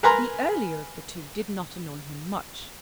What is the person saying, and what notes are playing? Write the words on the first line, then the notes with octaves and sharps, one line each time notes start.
The earlier of the two did not annoy him much.
A#4 B4 G#5 A#5 C6